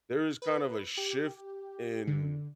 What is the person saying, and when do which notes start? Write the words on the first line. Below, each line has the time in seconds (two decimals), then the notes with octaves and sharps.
there is kind of a shift in
0.42 B4
0.97 G4
2.07 D3